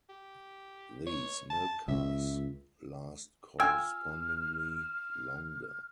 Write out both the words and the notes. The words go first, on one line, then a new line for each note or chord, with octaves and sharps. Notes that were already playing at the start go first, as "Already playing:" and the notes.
These milk cars last correspondingly longer.
G4
C#5
A5
C#2 E5
F4 G5 G#5 E6 F6